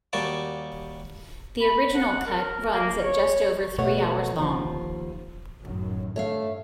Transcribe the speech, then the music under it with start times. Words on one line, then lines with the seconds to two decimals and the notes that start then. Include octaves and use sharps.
The original cut runs at just over three hours long.
0.13 D#2 G3 A#3 F#4 A5 D6
1.62 B5
1.96 F#5
2.26 A#4
2.72 A#3
3.03 C#5
3.78 B2 A3 C#5 F#5
4.38 D#2 F3
5.63 F#2 A2 D#3
6.16 G2 A3 C#5 E5 F5